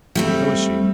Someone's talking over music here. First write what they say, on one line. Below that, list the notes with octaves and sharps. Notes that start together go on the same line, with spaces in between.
How is she?
G3 A3 C4